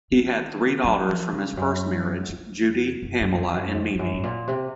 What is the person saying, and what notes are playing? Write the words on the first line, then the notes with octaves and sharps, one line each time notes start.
He had three daughters from his first marriage: Judy, Pamela, and Mimi.
D#3
F#3
F3
C#3
F2
F#2
F2
F#2
F#2
F2
F#2
F2
F2
F#2
G#2
A#2
C3